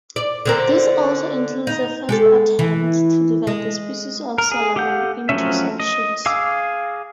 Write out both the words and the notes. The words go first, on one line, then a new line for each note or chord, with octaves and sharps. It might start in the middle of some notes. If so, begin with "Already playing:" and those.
This also includes a first attempt to divide the species of "Solanum" into sections.
D5
D3 C4 A#4
D#4
G#3 G4 A4
E3
G#3
A#4
G#4
G4 A4 F5 F#5 G6
F3 F#3 A3 C#4 E5
D#5
G#4 F5 D6 E6